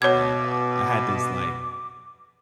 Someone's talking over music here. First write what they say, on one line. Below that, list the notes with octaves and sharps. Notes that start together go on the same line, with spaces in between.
uh, I had this like
B2 C#5 D6 G#6